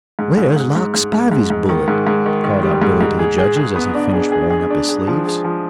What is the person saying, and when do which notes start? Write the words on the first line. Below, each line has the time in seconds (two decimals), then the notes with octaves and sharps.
"Where's Lark Spivey's bullet?" called out Billy to the judges, as he finished rolling up his sleeves.
0.19 G#2
0.37 G#2
0.56 G#2
0.75 G#2
0.94 G#2
1.13 G#2
1.32 G#2
1.50 G#2
1.69 D#3
1.88 G#2
2.07 G#2
2.26 D#3
2.44 D#3
2.63 G3
2.82 G#2
3.01 G#2
3.19 G#4
3.38 G#4
3.57 G#4
3.76 B3
3.94 D4
4.13 G#4
4.32 G#4
4.50 G#4
4.70 D4
4.89 G#4
5.08 F3
5.26 G#4
5.44 F3